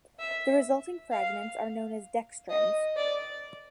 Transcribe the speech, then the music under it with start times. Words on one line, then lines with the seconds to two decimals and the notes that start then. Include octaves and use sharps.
The resulting fragments are known as dextrins.
0.19 E5
1.12 F5
2.49 D#5
2.96 D5